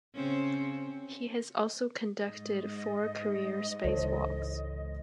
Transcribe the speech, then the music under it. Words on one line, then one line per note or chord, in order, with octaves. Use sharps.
He has also conducted four career spacewalks.
C#3 C4 C#4
G#2 D#5
C#2 E3 A4 C5 C#5